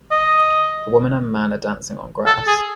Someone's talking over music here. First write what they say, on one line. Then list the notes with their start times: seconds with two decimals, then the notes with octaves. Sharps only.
A woman and man are dancing on grass.
0.11 D#5
2.26 A4
2.47 G#4